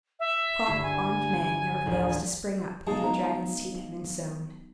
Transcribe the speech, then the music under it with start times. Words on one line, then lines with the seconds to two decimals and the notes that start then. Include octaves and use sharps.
"A crop of armed men never fails to spring up, when the dragon's teeth have been sown."
0.20 E5
0.66 G1 E4 C7
0.83 G#5
1.86 A1 D2 F3
2.87 C#3 F#3 G#3 B3 D#4 G#4 A5
3.04 D#4 A#5